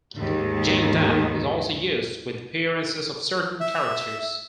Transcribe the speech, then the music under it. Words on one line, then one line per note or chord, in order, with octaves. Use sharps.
"Jangdan" is also used with the appearances of certain characters.
D#2 G#2 D#3
E5